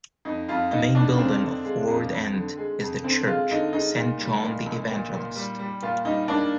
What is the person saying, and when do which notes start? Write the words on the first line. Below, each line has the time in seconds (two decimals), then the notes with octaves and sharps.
A main building of Ford End is the church "Saint John the Evangelist".
0.25 F2 D#4
0.49 F2 F4
0.71 F2 D#4
0.94 F2 D4
1.18 F2 C4
1.41 D3
1.65 G#3
1.88 F2
2.11 F2
2.34 D3
2.58 G#3
2.81 F2
3.03 D3 C4
3.26 G#3 F4
3.51 D3 D#4
3.73 G#3 D#4
3.96 A#2
4.20 G3
4.43 A#2
4.66 A#1
4.90 A#2
5.13 A#2
5.35 G3
5.59 G3
5.82 A#2 F4
6.05 G3 D#4
6.28 A#3 D4